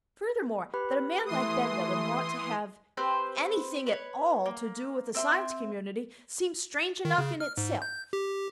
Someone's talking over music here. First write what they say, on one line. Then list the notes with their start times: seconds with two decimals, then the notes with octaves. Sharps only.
Furthermore, that a man like Benda would want to have anything at all to do with the Science Community seemed strange enough in itself.
0.74 G4 B4 B5
1.26 E3 A3 C6 D#6
2.97 C4 G4 B4 C5
3.87 B4 C#5
4.46 A#3
5.15 C4 E5 C6
7.05 D#3
7.18 C#3
7.40 F6
7.57 G#2
7.82 G6
8.13 G4